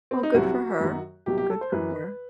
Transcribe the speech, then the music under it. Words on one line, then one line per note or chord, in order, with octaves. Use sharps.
Well, good for her. Good for her.
C4
D#4
C2 C3 F#3 F#4
F#2 D#3 F#3
C2 B2 F#3 G4
G4
A4
C5
F#2 E3 B4